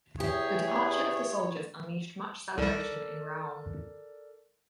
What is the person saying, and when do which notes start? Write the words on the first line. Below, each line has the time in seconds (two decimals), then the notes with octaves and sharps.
The departure of the soldiers unleashed much celebration in Raon.
0.20 E2 G4 G#4 C#5 E5
2.58 C2 G3 A4 A#4 D5